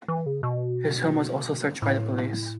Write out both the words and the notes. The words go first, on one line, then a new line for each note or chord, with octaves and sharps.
His home was also searched by the police.
E3
C#3
B2
A2